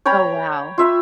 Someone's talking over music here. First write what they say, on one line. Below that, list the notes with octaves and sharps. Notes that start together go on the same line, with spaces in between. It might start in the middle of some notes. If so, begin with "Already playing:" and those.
Oh, wow.
C#5 G5 A#5 B5
F4 E5 B5